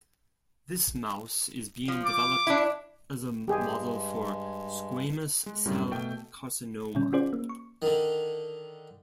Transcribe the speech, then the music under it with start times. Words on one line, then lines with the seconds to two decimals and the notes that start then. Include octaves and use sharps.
This mouse is being developed as a model for squamous cell carcinoma.
1.88 F3
2.05 D6
2.47 D4 E4
3.48 G2 G#3 G4 G#4
5.46 G#3
5.65 F#2 A2 G3
5.91 B2 A3 G5
6.95 A#2 D3 G3 C#4
7.13 C#4 F4 F#4 G#4 C5 D5
7.33 A#3
7.49 C#6
7.82 D3 D#3